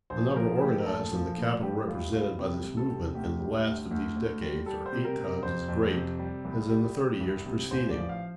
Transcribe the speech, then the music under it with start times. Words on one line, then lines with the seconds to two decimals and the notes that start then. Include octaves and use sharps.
The number organized and the capital represented by this movement in the last of these decades are eight times as great as in the thirty years preceding.
0.10 A#1 C5
0.31 C5
0.36 F3 A#4
0.61 A2 G4
0.79 A#4
0.86 A#1 A4
1.12 F3
1.37 A2
1.62 G3 G4
1.88 C2 F4
2.13 C2 F4
2.39 C3 G4
2.64 C2
2.77 A4
2.89 C3
3.14 D2 G4
3.40 G3
3.65 D2
3.91 D2
4.16 D2
4.42 G3
4.66 G3 A4
4.86 C5
4.93 C3
5.05 A#4
5.18 C3
5.24 A#4
5.43 F2 C5
5.68 F2
5.94 C3
6.19 G3
6.45 C2
6.70 G3
6.95 G3
7.21 C2
7.46 C3
7.71 A1 C5
7.91 D5
7.96 F3
8.09 F5